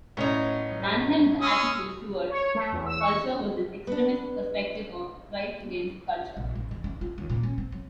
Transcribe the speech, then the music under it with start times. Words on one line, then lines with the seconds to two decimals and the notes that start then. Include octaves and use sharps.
Branham's attitude toward culture was an extremist perspective of "Christ against Culture".
0.17 A2 B3 C#4 D#4
1.41 C#4 D#6 E6
2.30 C#5
2.55 A3
2.72 E2
2.86 E6
3.00 C#6
3.87 B3 D4
6.37 A#1
6.55 A1
6.71 E2
6.84 D4
7.01 F4
7.18 D#2
7.30 A#2
7.43 C#4
7.58 C4
7.72 F#3